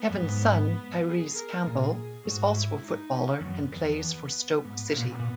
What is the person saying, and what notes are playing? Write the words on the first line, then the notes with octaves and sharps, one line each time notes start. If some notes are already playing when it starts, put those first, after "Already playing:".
Kevin's son, Tyrese Campbell, is also a footballer and plays for Stoke City.
Already playing: B3
F#2
G#2
G#4
A#4
A#2 G#4
G#4
G#2 F#4
E4
D#4
C#4
E2
F#2 B3
E2
G#2 B3
A#2
A#2